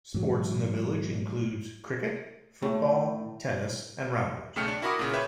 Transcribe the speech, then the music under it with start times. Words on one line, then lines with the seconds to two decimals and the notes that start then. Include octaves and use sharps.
Sports in the village includes cricket, football, tennis, and rounders.
0.14 G#2 E3 F#3
2.62 A2
4.56 B1 C#3 A3 G5 F6 C#7
4.68 D4
4.82 E4 F#4 A#4 B5 D6 D#6
4.99 A#2 C#3
5.13 B4 C#5 E5 G5 B5